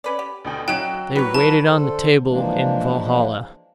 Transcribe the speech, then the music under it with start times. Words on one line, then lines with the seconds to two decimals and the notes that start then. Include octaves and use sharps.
They waited on the table in Valhalla.
0.04 C#4 B4 D5
0.19 G4
0.45 D2 B2 G5
0.68 F#3 C#4 D#5 F5 G5 F#6 E7
1.16 F#3 G4 B4 C#5
1.34 F#3 A5
1.66 D3 A4 C5
2.28 E3 F3 G#3 A#3 D4